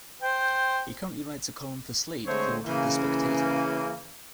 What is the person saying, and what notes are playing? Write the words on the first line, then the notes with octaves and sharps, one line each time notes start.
He currently writes a column for "Slate" called "The Spectator".
C5 G5
D3 G#3 A3 C4 C5 C#5
C#3 E3 A#3